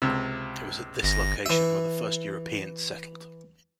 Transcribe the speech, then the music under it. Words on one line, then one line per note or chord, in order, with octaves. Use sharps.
It was at this location where the first Europeans settled.
C#2 C3
G1 A#6
E3 E5